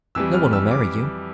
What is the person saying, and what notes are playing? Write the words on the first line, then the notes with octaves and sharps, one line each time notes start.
No one will marry you.
F2 E3 G3 E6
F6
E6
D6